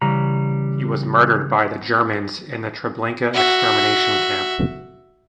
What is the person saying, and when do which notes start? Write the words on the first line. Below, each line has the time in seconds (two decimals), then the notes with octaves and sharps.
He was murdered by the Germans in the Treblinka extermination camp.
0.01 C#3 E3 G3 A#5
3.34 F#4 E5